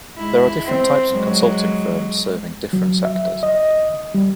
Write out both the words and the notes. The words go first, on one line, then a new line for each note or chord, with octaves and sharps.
There are different types of Consulting Firms serving different sectors.
G#3 E4
C4
F#3 G#3
F#3
E5
D#5
G3